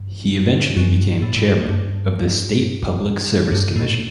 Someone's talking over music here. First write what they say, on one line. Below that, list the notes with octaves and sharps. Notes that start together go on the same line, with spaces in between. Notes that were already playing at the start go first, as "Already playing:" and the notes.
He eventually became Chairman of the State Public Service Commission.
Already playing: G2
F#2
G2
A2
A2
G2
G2
G2
A2
B2
A2